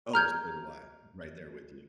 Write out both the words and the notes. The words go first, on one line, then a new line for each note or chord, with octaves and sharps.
Oh, so do I, right there with you.
A#5 F6 G6 G#6